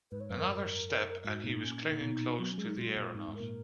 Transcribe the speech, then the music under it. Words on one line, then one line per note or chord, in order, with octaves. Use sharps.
Another step and he was clinging close to the aeronaut.
G#2 B4
C#5
F#2 B4
A#4
G#2 F#4
A#2 D#4
C#4
D#4
A#2
B2
F#3 B3
C#4
G#3
D#4
A#2 F4
F#4
A#2
F4
G#2 D#4
G#2
A#4
A#2